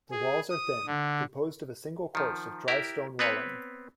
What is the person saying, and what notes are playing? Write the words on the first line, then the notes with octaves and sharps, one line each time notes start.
The walls are thin, composed of a single course of dry stone walling.
G#4
D#6
D3
D#3 F3
E4 G4 A#4
B3 C4 B4 C#5